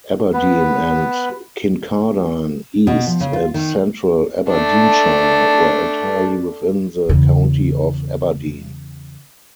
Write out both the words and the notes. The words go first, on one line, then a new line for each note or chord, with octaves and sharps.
Aberdeen and Kincardine East and Central Aberdeenshire were entirely within the county of Aberdeen.
B3 B4
B2
F3
C#3
F4
D#3
A3 D4
E2 C#3